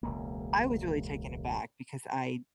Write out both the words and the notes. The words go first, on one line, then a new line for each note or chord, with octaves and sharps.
I was really taken aback, because I
E1 C#2 A#3